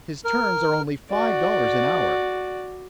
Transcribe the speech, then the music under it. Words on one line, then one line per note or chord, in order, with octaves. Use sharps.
His terms are only five dollars an hour.
A#4
F#4 D5